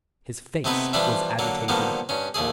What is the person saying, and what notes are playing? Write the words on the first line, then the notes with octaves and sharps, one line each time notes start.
His face was agitated.
C3 A3 B3 D#4 E4 B4
E3 F3 G3 A3 D4 E4
D3 F#3 A#3
D3 D#3 F3 G3 A#3 B3
G2 C#4
A#1 D#2 A3 G#4